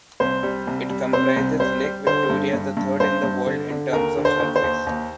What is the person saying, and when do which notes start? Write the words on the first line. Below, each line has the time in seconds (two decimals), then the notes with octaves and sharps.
It comprises lake Victoria, the third in the world in terms of surface.
0.20 C2 C5
0.43 G3
0.67 C2
0.90 G3
1.13 C3 C5
1.36 C2
1.60 G3 C5
1.84 G3
2.07 D3 C5
2.30 G2
2.54 G2
2.77 G2
3.00 G2 C5
3.23 G2
3.47 D3
3.70 D3
3.93 D#2 A#4
4.17 D3
4.25 C5
4.40 D#2
4.56 C5
4.64 D#2
4.87 D#2